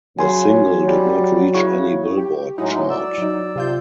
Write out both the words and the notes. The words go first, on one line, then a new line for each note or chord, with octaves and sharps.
The single did not reach any Billboard chart.
C#3 F#3 G#5 C6
C#4
G3
C#3 E4 C#6
G4
A2 F#3 G#3 D#4 E4 F#4
D5 E6
F#3 D#4
C3 F4 G6